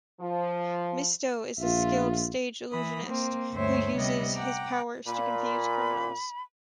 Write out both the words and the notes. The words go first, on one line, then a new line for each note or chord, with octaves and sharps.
Mysto is a skilled stage illusionist, who uses his powers to confuse criminals.
F3
A#1 F4 E5
E3 B5 D#6
A#3 C4
D2 G2 A3 C5 C#5 E5
C3 G3 B3 D#5
F#5 G5 A#5 D6
A#2 B5